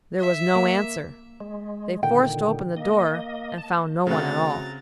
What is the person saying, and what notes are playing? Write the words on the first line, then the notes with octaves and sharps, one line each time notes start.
There was no answer. They forced open the door, and found no one at all.
E5
A#3
G#3
A#2 D3 D#3 G5
A#3 D#5
A5
C#3 A3 C4 F#4 A#5 F#6 A6